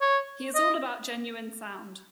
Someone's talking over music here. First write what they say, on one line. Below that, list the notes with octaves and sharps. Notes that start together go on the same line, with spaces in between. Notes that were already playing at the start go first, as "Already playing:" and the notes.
He is all about genuine sound.
C#5
D#5